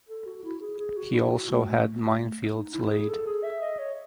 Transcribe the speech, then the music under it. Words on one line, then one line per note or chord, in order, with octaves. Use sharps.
He also had minefields laid.
A4
F#4
E4
G#4
G#4
F#4
E4
F#4
A3
A3
A3
A3
A3
D#4
E4
G#4
A4
G#4
E5
D#5
C#5